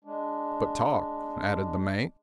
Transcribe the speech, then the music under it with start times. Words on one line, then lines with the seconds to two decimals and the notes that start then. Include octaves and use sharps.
"But talk," added the mate.
0.05 G#3 D4